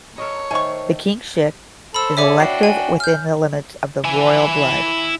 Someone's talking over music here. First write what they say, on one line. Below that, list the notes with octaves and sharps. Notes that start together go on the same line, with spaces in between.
The kingship is elective within the limits of the royal blood.
A4 A#4 C#5 D#5
D#3 A3 C5 G#5 C#6
A4 C5 B5 E6
G#4 A4 C#5 E5 D6
D4 F#4 G5 C7
G#5
F6 G6
E4 G#5